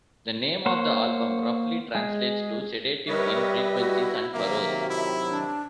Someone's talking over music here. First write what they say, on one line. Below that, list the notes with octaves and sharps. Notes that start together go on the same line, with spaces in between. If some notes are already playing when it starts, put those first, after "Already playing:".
The name of the album roughly translates to sedative in frequencies and furrows.
A#3 C5 C#5 F#5
G#3 G#4
G3 A#4 B4 C#5 D#5 E5
E4 F#4
C3 D#3 F#3 A#3 E5
E4
D4